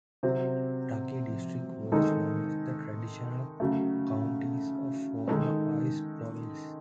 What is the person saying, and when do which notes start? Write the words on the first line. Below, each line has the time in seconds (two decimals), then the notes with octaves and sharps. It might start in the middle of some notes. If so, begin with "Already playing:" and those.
Taki District was one of the traditional counties of former Ise Province.
0.23 C3 F#3 C4
1.92 D#3 G#3 D#4 A4
3.60 C#3 F#3 A3
5.29 D#3 G#3 D#4 A4